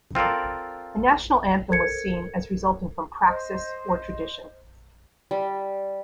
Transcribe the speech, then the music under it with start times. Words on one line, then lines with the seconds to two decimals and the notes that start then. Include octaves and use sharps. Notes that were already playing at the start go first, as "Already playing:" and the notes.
A national anthem was seen as resulting from praxis or tradition.
0.15 C4 F4 A4 A#4 D5
1.69 A4 A#4 C5 G#6 C#7
3.26 C5 D#5
5.31 G3